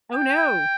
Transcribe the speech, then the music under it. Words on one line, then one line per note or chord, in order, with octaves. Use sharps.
Oh, no.
G5